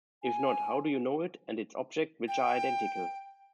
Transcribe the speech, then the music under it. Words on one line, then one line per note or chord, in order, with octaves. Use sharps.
If not, how do you know it and its object which are identical?
G#5
G5